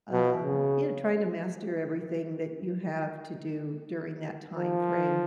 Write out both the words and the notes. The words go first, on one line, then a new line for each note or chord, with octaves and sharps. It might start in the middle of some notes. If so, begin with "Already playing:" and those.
um, you know, trying to master everything that you have to do during that time frame,
B2
C#3
F3